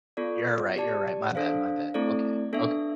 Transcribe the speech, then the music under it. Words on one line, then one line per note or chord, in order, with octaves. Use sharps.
You're right, you're right. My bad, my bad, okay, okay.
B3 F4 A4 D5
G4 D5 A5
D4 A4 C5 F5
A3 C4 E4 A4 D5
B3 D4 A4 E5